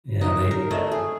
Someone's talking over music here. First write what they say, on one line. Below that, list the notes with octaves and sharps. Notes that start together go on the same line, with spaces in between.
Yeah, they tha
D#4
A#4
A3
G#4